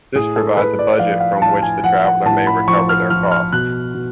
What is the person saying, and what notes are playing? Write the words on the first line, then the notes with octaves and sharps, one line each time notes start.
This provides a budget from which the traveller may recover their costs.
A2 G#4
A4
A2 B4
D5
F3 F5
F5
A2 A5
G#5
F3 F#5
F#5
A2 A5
B5
F3 C#6
F6
F3 F6
F6
B2 F#6
B2